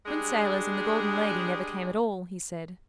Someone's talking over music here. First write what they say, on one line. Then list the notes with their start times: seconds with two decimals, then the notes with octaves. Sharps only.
"The Twin Sailors and the Golden Lady never came at all," he said.
0.06 G3 G#3 D4 G#4